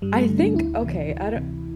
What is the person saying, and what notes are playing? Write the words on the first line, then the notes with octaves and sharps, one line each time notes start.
I think okay, I don't
G2 G3
A3
D3
D4
D2 E4
C3 E3
D2
C3 E3